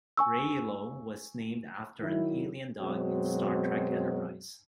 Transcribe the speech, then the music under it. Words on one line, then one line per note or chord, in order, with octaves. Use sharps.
Railo was named after an alien dog in Star Trek Enterprise.
G#5 C#6 E6
D#3 F#3 E4
F#2 B2 F#3 G#3 C4